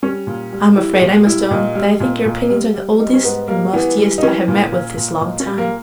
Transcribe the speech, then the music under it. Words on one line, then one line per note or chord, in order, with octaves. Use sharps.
I'm afraid I must own, that I think your opinions are the oldest and mustiest I have met with this long time.'
G3 C#4
A#2
G3
G3 E4
G#4
A#2 G4
G3 E4
A#2 D#4
G3
A#2
A#2
G3
G3
G3 D#4
C#4
G#2 B3
G3 A#3
E3 B3
G3
D#4
E3 C#4
A#2
A#2
A#2
A#2 D#4
C#4
G3
A#3